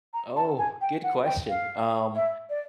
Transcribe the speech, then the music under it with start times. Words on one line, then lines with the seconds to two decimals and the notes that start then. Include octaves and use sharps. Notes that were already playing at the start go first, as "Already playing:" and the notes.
Oh, good question, um,
0.14 A#5
0.36 A5
0.58 G#5
0.81 G5
1.03 F#5
1.25 G5
1.49 F5
2.16 E5
2.50 D5